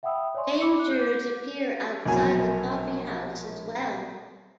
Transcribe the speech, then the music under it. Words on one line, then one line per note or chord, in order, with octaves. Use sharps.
Dangers appear outside the coffee house as well.
E5 F#5 G5 B5 D#6 E6
C#5 D5 E5 G#5 C6 C#6
B5 D6 E6 C#7
D#4 F#6
D6 G6 C#7
A#1 B2 F#3 G#5